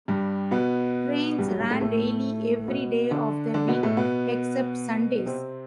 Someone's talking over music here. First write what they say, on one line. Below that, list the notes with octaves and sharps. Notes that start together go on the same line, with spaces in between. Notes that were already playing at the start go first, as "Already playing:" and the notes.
Trains ran daily every day of the week except Sundays.
G2 G3
B2 B3
G2 G3
F#3
G2 G3
A2 A3
A2 A3
B2 B3
D3 D4
D3 D4
B2 B3
A2 A3
B2 B3
C3 C4